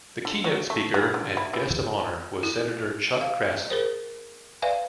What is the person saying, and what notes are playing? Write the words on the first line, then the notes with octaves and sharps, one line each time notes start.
The keynote speaker and guest of honor was Senator Chuck Grassley.
D3
F#3
A3
E3
D3
E4
E3
E4
F5
G#4 A#4 C5
B4 D5 E5 F5 G#5